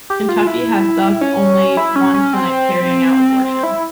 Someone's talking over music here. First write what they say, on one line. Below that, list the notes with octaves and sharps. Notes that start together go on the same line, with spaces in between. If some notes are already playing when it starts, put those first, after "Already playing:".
Kentucky has thus only one clinic carrying out abortions.
G4
F4
E4
C#4
E4
C#4
C#4
C4
C4
E4